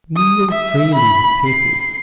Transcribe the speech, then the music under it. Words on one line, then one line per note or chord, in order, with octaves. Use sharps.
Mingle freely with people.
D#6
E5
B5
C7